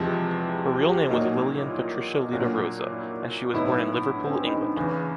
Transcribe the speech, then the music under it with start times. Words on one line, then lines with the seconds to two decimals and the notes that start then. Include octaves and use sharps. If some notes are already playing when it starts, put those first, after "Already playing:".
Her real name was Lilian Patricia Lita Roza, and she was born in Liverpool, England.
Already playing: E2 C3 F3 G#3 C4 E4
0.47 E4
0.79 F#4
0.89 G4
1.09 A#2 F#3 A#3 D#4 F#4
1.61 E4
1.71 F4
2.32 A#2 F#3 A#3 D4 F4 F#4
2.93 E4
3.53 A2 F#3 B3 D#4 E4
4.15 D4
4.25 C4
4.30 C#4
4.45 D#4
4.62 D4
4.77 E2 C#3 E3 C#4